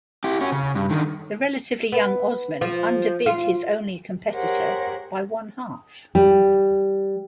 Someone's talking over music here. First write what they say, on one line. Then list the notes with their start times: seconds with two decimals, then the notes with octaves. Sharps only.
The relatively young Osman underbid his only competitor by one-half.
0.24 E4 G4
0.41 C#4 F#4
0.52 C#3
0.75 G2
0.90 D3 D#3
1.92 B3
2.61 F3
3.26 F4
4.33 G4 G#4 A#4 C5 C#5 F#5
6.15 G3